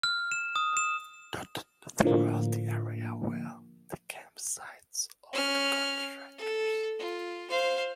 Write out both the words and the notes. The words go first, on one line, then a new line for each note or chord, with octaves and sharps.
Dotted throughout the area were the camp sites of the contractors.
F6
E7
D#6
E7
A2 D3 F3 A#3
C#4 F6
A4
F4
C5 F5